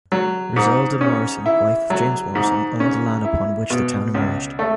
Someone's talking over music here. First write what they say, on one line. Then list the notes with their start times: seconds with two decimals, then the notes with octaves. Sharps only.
Roselda Morrison, wife of James Morrison, owned the land upon which the town emerged.
0.12 F#3
0.56 G#2
1.01 C#4
1.46 E4
1.90 F#3
2.35 G#2
2.80 C#4
3.25 E4
3.70 B2
4.14 C#2
4.59 A3